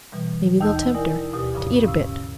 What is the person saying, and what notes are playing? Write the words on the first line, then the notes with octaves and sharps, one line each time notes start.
Maybe they'll tempt her to eat a bit.
B2 E3 G3
D#2 D#4 D#5 A5 E6 G6
E4 A#4 D5 G#5 D#6
D2 B2 G4 D#6
G2 A#2 C#3 F3
C#4 F5 E6